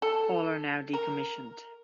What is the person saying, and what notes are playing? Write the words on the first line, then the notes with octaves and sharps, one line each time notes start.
All are now decommissioned.
A4
A#4